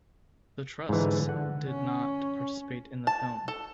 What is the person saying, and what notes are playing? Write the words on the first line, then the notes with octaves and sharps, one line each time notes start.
The Trusts did not participate in the film.
G#2 D3 E3
F#5
C#4
A5
A4